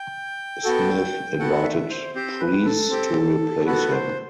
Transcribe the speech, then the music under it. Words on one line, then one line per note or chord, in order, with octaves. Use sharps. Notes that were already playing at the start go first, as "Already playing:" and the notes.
Smith invited Preece to replace him.
Already playing: G5
B3 F#4 A4
B3 F#4 A4 F#5
E5
C5
C4 G4 C5
B4
A4
C4 G4
B3 F#4 A4 B4
C5